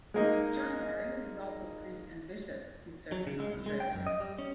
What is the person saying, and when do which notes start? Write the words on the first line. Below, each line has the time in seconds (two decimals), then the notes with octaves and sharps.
John Barry was also priest and bishop who served in Australia.
0.14 G#3 A#3 D#4
3.12 F#3
3.27 C#3
3.40 G#3
3.53 C2
3.66 G#3
3.80 G5
3.94 F#2
4.07 D#5
4.20 G3
4.39 C#4